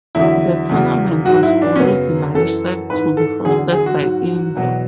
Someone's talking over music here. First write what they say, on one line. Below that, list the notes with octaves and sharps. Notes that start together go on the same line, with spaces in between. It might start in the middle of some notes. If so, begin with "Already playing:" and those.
The tournament was originally set to be hosted by India.
E2 D3 F#3 E4
E2 C#3 F#3
G#2 F#3 F#4
E4
D4
C#4
F#2 C#3 F#3 B3
F#2 E3 A4
G#2 E3 B4
A4
E2 D3 F#3 G#4
G#4
F#4
G#2 F#3
E2 B2 F#3